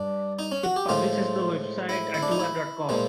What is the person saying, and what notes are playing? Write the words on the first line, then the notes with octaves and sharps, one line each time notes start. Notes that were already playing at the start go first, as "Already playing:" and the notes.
It publishes the website Antiwar dot com.
Already playing: G2 D4
D#4
C#4
F#4
G4
A2 F3 G#3 F4
E4
E4
D4
D#4
E4
A#2 F3 G#3